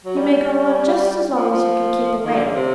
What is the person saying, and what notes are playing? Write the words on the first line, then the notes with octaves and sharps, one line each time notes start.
You may go on just as long as you can keep awake.
F#3
G3
F3
F3
D#3
D3
C#3
C3